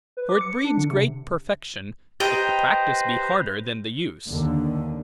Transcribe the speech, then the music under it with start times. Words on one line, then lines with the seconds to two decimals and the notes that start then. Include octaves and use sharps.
For it breeds great perfection, if the practice be harder than the use.
0.17 B4
0.29 D6
0.41 C#7
0.64 D4
0.78 D3
0.90 C3
2.20 G4 B4 C5 D#5 G5 A#5
4.29 D#2 D3